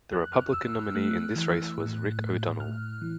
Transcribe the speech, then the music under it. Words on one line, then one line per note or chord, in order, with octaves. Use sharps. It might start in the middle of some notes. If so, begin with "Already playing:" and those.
The Republican nominee in this race was Rick O'Donnell.
F2 F#6
F6
F2 E6
F6
A3 F#6
E3
A2
A2
A2 F6
E3